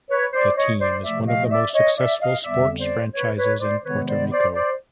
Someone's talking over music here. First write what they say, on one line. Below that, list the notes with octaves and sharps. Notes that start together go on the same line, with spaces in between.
The team is one of the most successful sport's franchises in Puerto Rico.
B4 C#5
C5 D5
C#5 D#5
C5 D5
C3 F3 A3 D5 E5
D#5 F5
D5 E5
C#5 D#5
D5 E5
D#5 F5
F2 D3 G3 B3 D5 E5
C5 D5
B4 C#5
B4 C#5
C5 D5
C3 D#3 G#3 B3 B4 C#5
C5 D5
C5 D5
C5 D5